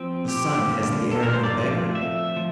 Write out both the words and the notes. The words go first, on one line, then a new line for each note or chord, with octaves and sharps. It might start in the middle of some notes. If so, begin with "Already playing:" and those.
The sun has the air of a beggar.
Already playing: F3 C4
G4
D3 G3 A#3
A4
A#4
C5
D5
F3 A3 C4
E5
F3